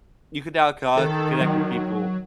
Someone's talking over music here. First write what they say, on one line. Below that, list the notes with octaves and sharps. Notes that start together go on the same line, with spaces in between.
you can now con connect with people
D#3 A4
F#3